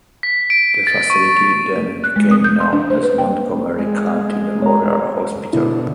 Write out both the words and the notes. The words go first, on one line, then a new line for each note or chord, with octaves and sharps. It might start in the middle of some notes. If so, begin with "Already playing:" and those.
The facility then became known as Montgomery County Memorial Hospital.
B6
D7
A6
C#6
F#6
G#3
D#6
G6
C6
D4
C5
B4
G5
G#3
C#5 A#5
B2 D3 E4